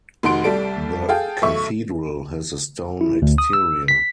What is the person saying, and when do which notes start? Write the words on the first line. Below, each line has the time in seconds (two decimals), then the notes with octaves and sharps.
The Cathedral has a stone exterior.
0.23 F1 D#3 F#4 C6 D7
0.44 C2 G3 A4 D7
1.09 G#4 A4 F5 G5
1.42 B1 A3 E5 C#6
3.01 E4
3.22 D2
3.38 D#6
3.53 E6
3.88 B6